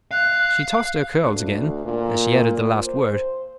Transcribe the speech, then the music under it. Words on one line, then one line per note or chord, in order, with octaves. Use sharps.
She tossed her curls again, as she added the last word.
F5 F#6
D2
A#2
C5